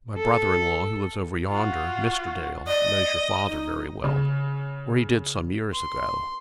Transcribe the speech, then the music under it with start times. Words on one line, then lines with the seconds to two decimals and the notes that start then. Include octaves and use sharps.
My brother-in-law who lives over yonder, Mr. Dale, knows your father very well,--or he did some years ago.
0.17 A4
1.49 F4 F#4
2.68 D5 D#5
3.48 D#4
4.04 C#3
5.73 C6